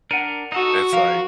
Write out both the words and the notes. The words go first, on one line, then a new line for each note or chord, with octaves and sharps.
It's, like,
D4 A#4 F#5 C#7 D#7
D#4 F#4 A4
F3 A#4 F5